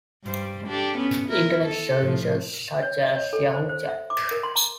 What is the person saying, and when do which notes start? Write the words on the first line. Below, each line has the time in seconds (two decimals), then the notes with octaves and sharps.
Internet services such as YahooChat!
0.25 G2 G3 C5
0.67 D4 G4 A4
0.98 B3 C#4
1.29 E4 A#4
1.64 A4
1.99 A2 F3
2.82 C#5
3.03 D#5
3.16 C#5
3.33 A4
3.54 C5
3.69 C5
3.89 E5
4.10 D6
4.31 A#4
4.43 C6
4.56 A#5